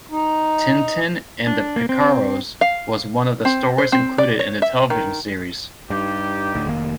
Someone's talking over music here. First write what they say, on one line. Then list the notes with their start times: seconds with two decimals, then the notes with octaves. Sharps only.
"Tintin and the Picaros" was one of the stories included in the television series.
0.12 D#4
1.47 D4
1.76 A#3
1.89 C4
2.61 F5
3.45 C4
3.78 C5
3.92 C4
4.18 D5
4.39 C#5
4.62 E5
4.90 D#3
5.90 G2 D#4 G4
6.55 D2 A2
6.66 F1 D#3 A#3